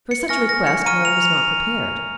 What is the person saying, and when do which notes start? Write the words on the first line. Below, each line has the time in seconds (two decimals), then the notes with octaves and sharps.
For such a request Mary was not prepared.
0.11 C#7
0.29 G#5 C#6 F6 A#6
0.49 A#6
0.67 C#7
0.86 A#5 C#6 F6 D#7
1.05 F7
1.23 F7